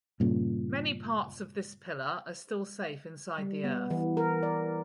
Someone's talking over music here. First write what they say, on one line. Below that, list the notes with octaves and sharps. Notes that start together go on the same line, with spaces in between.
Many parts of this pillar are still safe inside the earth.
G2 A#2 C#3
G3
B3
E3
A#4
D5